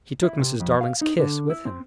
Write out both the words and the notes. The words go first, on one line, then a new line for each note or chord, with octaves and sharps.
He took Mrs. Darling's kiss with him.
E4
C3
F2
F5
D#4
D3
E4
C4